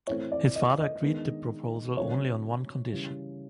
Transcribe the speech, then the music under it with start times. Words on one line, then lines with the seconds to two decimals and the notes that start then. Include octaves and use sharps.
His father agreed the proposal only on one condition.
0.07 A2 E3 A3 C4 C#5
0.32 D5
0.55 D#5
0.79 D#5
1.02 D#3 G#3 B3 D4
1.97 D3 F#3 A3 C4 C#5
2.92 C#3 E3 G3